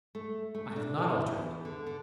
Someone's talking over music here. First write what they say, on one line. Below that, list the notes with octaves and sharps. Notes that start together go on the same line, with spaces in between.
"I have not altered it."
A3
A3
D4
E4
E2
D3
D3